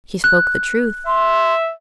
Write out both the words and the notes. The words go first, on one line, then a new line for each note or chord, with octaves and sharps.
She spoke the truth.
F#6
E5 C6